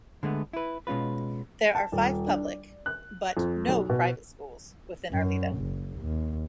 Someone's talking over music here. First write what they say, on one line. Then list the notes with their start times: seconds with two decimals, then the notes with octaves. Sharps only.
There are five public but no private schools within Arleta.
0.23 D3 G#3 A3 B3
0.53 E4 B4
0.87 B2 G#3 C#4 F4 B4
1.75 A5
1.92 D#1
2.27 D4
2.45 D5
2.86 F#6
3.37 F2
3.68 B1
3.90 B2
5.12 F#2
5.58 F#1
6.01 D#2